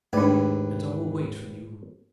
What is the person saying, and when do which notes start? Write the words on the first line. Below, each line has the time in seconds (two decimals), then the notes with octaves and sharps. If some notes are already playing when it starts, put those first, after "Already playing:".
And I will wait for you.
0.13 D#2 G#2 A3 D4 B4 D5 G5